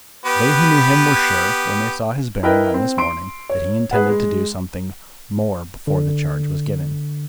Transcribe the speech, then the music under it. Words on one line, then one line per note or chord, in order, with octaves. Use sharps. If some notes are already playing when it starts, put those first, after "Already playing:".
They who knew him were sure, when they saw his bearing on this morning, that he intended to do something more before the charge was given.
B3 G4 B4
E4 A#4 B4 D#5 G5
C4
C6 D7
C#5
G#4 B4 F#5
G#3
D3